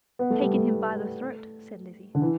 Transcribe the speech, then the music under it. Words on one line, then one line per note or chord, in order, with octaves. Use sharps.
"Taken him by the throat," said Lizzie.
B3
A3
G3
A3
D3
E3